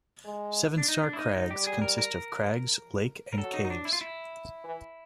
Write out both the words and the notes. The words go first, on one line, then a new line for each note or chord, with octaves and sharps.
Seven Star Crags consist of crags, lake and caves.
G#3
D4
D#4
D4
E4
D#4
D#4
G3 G4
G#4
A#4
A#4
A#4
F#3 A4
D#4
D#4
D4
E4
F4
E4
E3